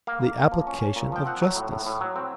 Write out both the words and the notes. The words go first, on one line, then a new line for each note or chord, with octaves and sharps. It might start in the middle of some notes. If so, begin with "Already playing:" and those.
"The application of justice."
A#3 F5
A#3
A#3
F3
C#4
C#4
A#2
F3 G5
C4 F#5
F#3
A2
A2
A2
F#3
C4